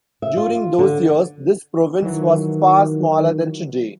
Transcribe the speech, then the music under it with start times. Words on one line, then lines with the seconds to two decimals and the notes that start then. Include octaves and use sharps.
During those years this province was far smaller than today.
0.22 E5
0.37 F4
0.79 D3
2.02 D#3 E3 F#3